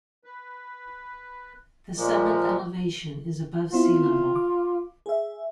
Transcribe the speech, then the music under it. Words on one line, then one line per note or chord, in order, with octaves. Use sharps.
The summit elevation is above sea-level.
B4
A#2 F3 G#3 A#3
B3 C4 E4 F4
D6
G#4 E5